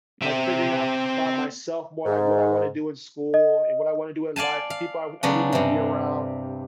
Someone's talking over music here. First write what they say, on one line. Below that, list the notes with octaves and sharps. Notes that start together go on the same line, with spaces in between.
like, figuring out 'bout myself more, like, what I want to do in school, and what I want to do in life, the people I w I need to be around,
C4 E5
G#2
D#5
D5 F5 G#5 A5
F5
C#3 F#3 B3 D4
G2 C3